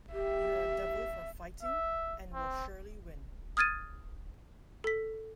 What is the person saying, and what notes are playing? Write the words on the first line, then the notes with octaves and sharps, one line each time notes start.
You're a devil for fighting, and will surely win.
G4 E5
E5
C4
D#6 F6 G#6 A6 D#7
A4 B6